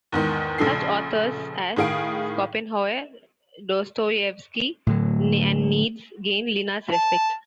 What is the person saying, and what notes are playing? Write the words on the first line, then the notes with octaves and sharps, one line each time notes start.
Such authors as Schopenhauer, Dostoyevsky, and Nietzsche gained Linna's respect.
E2 G#2 D#3
A#1 C#3 F3 A3 A4 C7
A2 D#3 G#4 F5 D7
A2 D3 F#3
A5